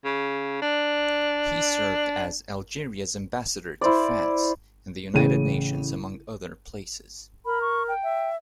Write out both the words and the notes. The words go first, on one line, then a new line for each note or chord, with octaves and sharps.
He served as Algeria's ambassador to France and the United Nations among other places.
C#3
D4
E4 C5 D5
A1 C#3 D#7
A#4 B5
C#6
G5
E5